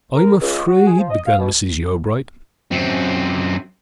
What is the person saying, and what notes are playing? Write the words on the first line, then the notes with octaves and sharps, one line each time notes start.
"I am afraid--" began Mrs. Yeobright.
A#4
C#2
F#4
G#4
F3
D#5
F5
B2
F#2 C4